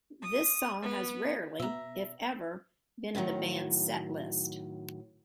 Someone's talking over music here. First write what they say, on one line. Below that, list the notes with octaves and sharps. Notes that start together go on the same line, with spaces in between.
This song has rarely, if ever, been in the band's set list.
D#6
B3
B2 B3 E5 A#5
A2 D3 D#3 F#3